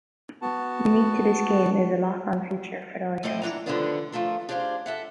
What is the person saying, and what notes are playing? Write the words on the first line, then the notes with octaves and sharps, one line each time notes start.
Unique to this game is a lock-on feature for the items.
B3 F#4 A5
A2 A3 C4 E4 D#5 G5
E3 F#3 D4 F#5 A#5
D3 D#3 F3 A3 B3 D4
F3 A3 F4 A4 A#4
D4 G4 G#4 C5 E5 F5
A4 E5 F#5